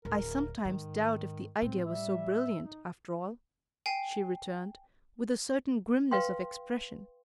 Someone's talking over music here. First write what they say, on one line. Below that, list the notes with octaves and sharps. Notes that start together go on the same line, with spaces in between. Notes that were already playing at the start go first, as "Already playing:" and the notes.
"I sometimes doubt if the idea was so brilliant, after all," she returned, with a certain grimness of expression.
D1 A#4
G#2 D#3
A2 C4
G3 E5
D#4
G5 G#5 C7
B4 F5 G5 C6